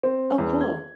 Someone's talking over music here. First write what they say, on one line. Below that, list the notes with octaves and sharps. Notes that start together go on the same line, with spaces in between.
Oh, cool.
C4
E2
G#6